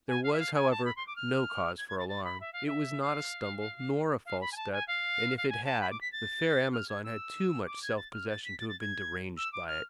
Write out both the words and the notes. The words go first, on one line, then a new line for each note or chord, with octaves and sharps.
There was, however, no cause for alarm; it was not a stumble, nor a false step; and, if it had, the fair Amazon had too much self-possession to have been deranged by it.
G#5
F5
E5
F5
G#5
A5
B5
C6
D6
F6
G#6
G#6
A6
A6
B5
E5
F5
E5
F5
F5
B5
G#5
A5
G#5
F5
F5
G#5
A5
B5
D6
B6
A6
F6
G#6
E6
D6
G#6
A6
F6
A6
B6
A6
A6
G#6
E6
D6
F6